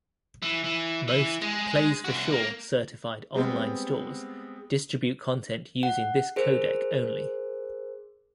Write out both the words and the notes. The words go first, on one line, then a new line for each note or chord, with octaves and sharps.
Most PlaysForSure-certified online stores distribute content using this codec only.
E3
E3
E3
G#3
C2 F#4
A#3
G3 G#3 B3 C4
F#5
G#4 A#4 C5